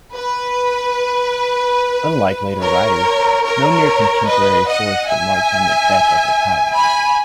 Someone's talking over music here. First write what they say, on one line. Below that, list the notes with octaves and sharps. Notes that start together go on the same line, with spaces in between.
Unlike later writers, no near contemporary source remarks on Macbeth as a tyrant.
B4
A#4 C#5
A#4 C#5
B4 D#5
D#5 F#5
E5 G#5
G#5 B5